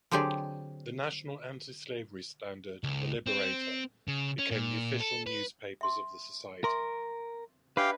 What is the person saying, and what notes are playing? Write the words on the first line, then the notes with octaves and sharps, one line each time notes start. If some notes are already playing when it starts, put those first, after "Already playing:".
The National Anti-Slavery Standard and "The Liberator" became the official newspapers of the society.
D3 F#3 C4 G4 G#4 D5
C#2
C4
C#3
C#4
A#2
A4
B4
E5 C6
A#4 E5 C6 D6
D4 G4 B4 D5 E5 F5 G5